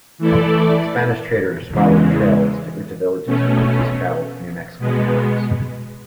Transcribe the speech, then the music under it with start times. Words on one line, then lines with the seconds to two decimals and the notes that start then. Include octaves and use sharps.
Spanish traders followed trails to Ute villages and Utes traveled to New Mexican towns.
0.18 E3 A3 E4 A4 D5
1.72 E2 C#3 E3 G#3
3.25 B2 A3 C#4
4.79 B2 G#3 B3